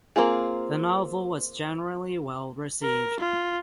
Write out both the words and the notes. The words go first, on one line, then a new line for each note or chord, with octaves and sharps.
The novel was generally well received.
A#3 C4 F4 G#4
A#4
F4